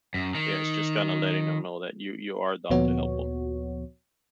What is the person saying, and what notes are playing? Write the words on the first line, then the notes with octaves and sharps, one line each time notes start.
yeah, it's just kinda letting them know that you you are down to help 'em.
F#2
D#3
D2 A#2 F3 B3 F#4 C#5